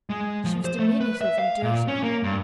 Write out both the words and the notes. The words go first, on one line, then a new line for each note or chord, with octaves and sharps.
She was diminutive and dirty.
G#3
F3
C5
A3
B4
E5
F5
A#2
C#4
A#3
G2